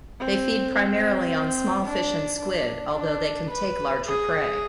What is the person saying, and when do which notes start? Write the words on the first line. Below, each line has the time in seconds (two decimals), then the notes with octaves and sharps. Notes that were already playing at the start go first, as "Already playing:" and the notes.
They feed primarily on small fish and squid, although they can take larger prey.
0.20 C4
0.75 C4
1.85 D4
2.40 D4
2.95 D4
3.50 B4
4.05 G#4